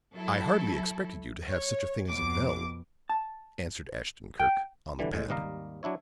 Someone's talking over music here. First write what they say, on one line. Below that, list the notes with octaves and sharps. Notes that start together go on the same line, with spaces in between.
"I hardly expected you to have such a thing as a bell," answered Ashton-Kirk, on the pad.
F#3 E4 A4
C#5
F2 B2 D6
A5
G5
B2 D3 E3 G3
A2 G#3
G#1 D#2 G3 D#5 F5 A#5
F#3 D4 E4 C#5